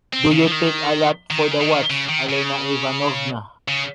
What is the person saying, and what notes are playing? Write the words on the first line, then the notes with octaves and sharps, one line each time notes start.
Do you take a lot for the watch, Alena Ivanovna?
C4
C#3
F3
D#3
D#3
C#3
D#3
C#3
D#3
C#3
C#3